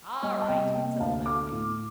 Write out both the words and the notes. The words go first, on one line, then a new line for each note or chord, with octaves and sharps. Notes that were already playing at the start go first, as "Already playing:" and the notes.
"All right," said old Anthony.
G3 D#5
A5
C3 D#5 G5
A#3 D#5 G5
D2 F5 A5
A3 D6 F6
A2